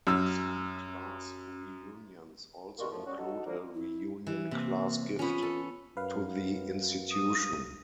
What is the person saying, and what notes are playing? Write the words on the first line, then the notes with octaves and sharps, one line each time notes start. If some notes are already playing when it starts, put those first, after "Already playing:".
Some class reunions also include a reunion class gift to the institution.
F#2 E6
G2 G3 A#3 D#4 F4 F#4
F#2 A2 F3
G3 C#4 F#4
D#4 F#4 A4
D3 F3 A#3
E4
E3 E4
C3 A#3
B3 C#4 F4
A4
F#2 B4 F5
D#6